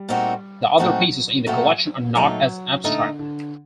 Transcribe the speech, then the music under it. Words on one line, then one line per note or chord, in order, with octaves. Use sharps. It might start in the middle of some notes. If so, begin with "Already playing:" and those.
The other pieces in the collection are not as abstract.
Already playing: G3
A#2 A3 C4 D#4 F#4
A#2 F#3 A3 C4 D#4 F#4
A#2 A3 C4 D#4 F#4
A#2 F#3 A3 D#4
A#2 D3 A3 D#4
D3